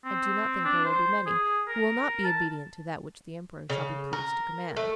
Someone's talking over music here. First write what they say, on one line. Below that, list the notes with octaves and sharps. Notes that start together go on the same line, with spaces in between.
I do not think there will be many who will not be obedient to that which the emperor shall be pleased to command.'
C4
D4
C5
G#4
A#4
A5
C#3
A#4
A3